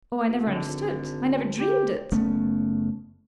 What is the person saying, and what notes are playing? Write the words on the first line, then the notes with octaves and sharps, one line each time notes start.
Oh, I never understood--I never dreamed it!
G#1
D3
G4
F#1 A3 B3 C#4